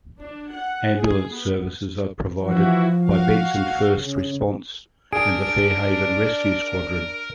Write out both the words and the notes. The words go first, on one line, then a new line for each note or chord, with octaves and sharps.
Ambulance services are provided by Benson First Response and the Fair Haven Rescue Squadron.
D4
F#5
G#4
B3
E3 F3 E4 F#4
F#4 F5
C#3
D4 G#4 A#4 D7